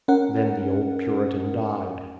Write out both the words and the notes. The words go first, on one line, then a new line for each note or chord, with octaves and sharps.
Then the old Puritan died.
C#4 A#4 F#5